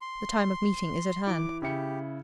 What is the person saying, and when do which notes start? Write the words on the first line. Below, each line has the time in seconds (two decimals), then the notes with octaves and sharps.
The time of meeting is at hand.
0.01 C6
1.27 E3 D6
1.62 C#3 E4 G4 C#7